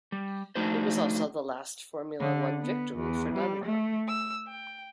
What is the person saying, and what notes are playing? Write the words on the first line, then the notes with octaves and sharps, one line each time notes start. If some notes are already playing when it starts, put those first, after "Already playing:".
It was also the last Formula One victory for Dunlop.
G3
F3 A3 D4 D#4 F#4 C5
D3
B3
E2
G3
A3
E6
G5